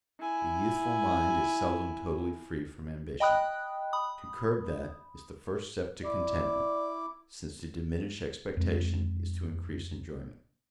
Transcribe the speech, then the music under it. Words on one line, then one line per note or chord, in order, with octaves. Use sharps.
A youthful mind is seldom totally free from ambition; to curb that, is the first step to contentment, since to diminish expectation is to increase enjoyment.
E4 G#5
D#5 G5 B5 D#6 F#6
B5 D#6
E4 D5 D6
F2 G#3